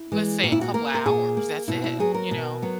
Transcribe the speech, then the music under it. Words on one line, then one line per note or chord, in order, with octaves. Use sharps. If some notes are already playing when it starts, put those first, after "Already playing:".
let's say a couple hours, that's it, you know,
Already playing: E4
E3 G#3
A#2 F#4
E4
F#4
A#3 A#4
A#4
A#2 G#4
A#3
B2 E4
E4
F#3 B3 G#4
A#4
B2
F#3 B3